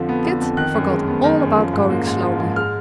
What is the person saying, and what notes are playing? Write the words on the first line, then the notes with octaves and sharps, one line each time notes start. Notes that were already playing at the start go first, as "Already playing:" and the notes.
Kit forgot all about going slowly.
Already playing: F2 D3 F3
B3
D3
F2
D#3 F#6
F#2
G#3
B3
D#3
F#2
F3
G#2
A#3
G#2
F3
G#2
G#3 F6